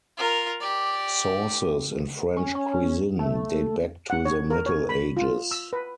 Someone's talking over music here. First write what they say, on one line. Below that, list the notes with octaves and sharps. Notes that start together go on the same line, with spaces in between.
Sauces in French cuisine date back to the Middle Ages.
F4 A#4
G4 D5
C#4
C#4
A3
F#5
C#5
A#4
C#5
B5
F4
E6
B4